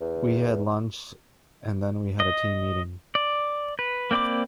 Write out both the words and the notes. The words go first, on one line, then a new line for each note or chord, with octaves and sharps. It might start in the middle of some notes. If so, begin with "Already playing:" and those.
We had lunch and then we had a team meeting.
E2
D#5
D5
B4
A#3 C4 D5 B5 D6